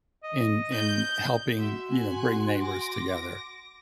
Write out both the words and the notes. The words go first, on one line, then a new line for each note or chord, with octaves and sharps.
in in helping, you know, bring neighbors together,
D#5
G6
F#4 E5 F#5 C6
G#5 F#6
D6 A#6